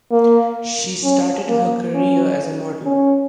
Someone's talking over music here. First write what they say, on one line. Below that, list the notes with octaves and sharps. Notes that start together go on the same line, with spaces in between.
She started her career as a model.
A#3
C#4
A#3
C#4
C#4